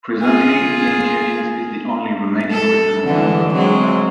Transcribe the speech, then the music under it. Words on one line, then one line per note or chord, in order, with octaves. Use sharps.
Presently, Ian Jennings is the only remaining original member of the band.
F4 G#4
A4
D3 E3
F#3 G#3 C4